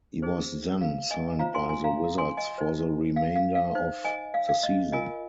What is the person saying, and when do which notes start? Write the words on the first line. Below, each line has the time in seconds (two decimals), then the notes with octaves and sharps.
He was then signed by the Wizards for the remainder of the season.
0.22 D#4 G#4 C5
0.81 F5
1.11 D#5 G#5
1.39 F4 C5 F5 A#5
1.54 G#5 C6
1.69 G#5 C6
1.84 F5 A#5
2.18 G#5 C6
2.37 D#5 G#5
2.58 D#4 C5
3.16 F5
3.36 F5
3.55 F5
3.75 D#4 C5
4.05 D#5 G#5
4.34 F5
4.49 F5
4.63 D#5
4.92 F4 A#4 D#5 G#5